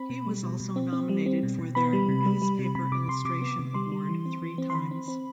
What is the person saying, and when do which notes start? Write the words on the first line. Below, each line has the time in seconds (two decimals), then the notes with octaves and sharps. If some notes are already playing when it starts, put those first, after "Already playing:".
He was also nominated for their Newspaper Illustration Award three times.
Already playing: C4 B5
0.10 B2
0.26 G3
0.43 B2
0.60 B2
0.76 C4
0.93 C4
1.09 G3
1.26 C4
1.43 B2
1.59 B2
1.75 B3 B5
1.93 G3
2.08 C3
2.25 G3
2.42 G3
2.59 C3
2.75 C3 B5
2.92 C3 D6
3.08 C3 C6
3.25 C3 D6
3.42 B3
3.59 C3
3.74 G3 C6
3.92 G3
4.09 E3
4.25 C4
4.42 E3
4.58 C4
4.70 C6
4.75 E3 B5
4.91 C4
5.08 C4